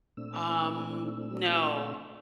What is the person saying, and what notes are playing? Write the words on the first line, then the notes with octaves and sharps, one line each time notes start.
Um, no.
A#2 A3 C4 D4 E6